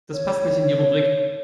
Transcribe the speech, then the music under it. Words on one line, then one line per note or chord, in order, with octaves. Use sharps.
Das passt nicht in die Rubrik.
C#5